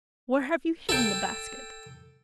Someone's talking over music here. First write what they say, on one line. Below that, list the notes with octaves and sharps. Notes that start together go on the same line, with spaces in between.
'Where have you hidden the basket?
A4 G5